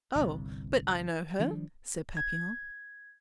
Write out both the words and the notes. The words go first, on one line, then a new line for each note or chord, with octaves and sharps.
"Oh, but I know her!" said Papillon.
G1 C2
D#3 F3 G3 D4
G#6